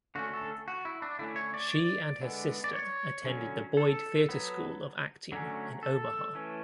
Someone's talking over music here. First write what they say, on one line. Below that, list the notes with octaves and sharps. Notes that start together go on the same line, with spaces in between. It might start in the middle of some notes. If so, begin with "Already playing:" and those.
She and her sister attended the Boyd Theater School of Acting in Omaha.
D3 A3 C#4 F#4
A4
F#4
E4
D4
D3 A3 C#4 E4
C#5
D5
D5
D3 G#3 B3
D5
C#5
D3 F#3 C#4
A4
F#3 B3
D3 F#3 A3 C#4
A4
E3 A3 C#4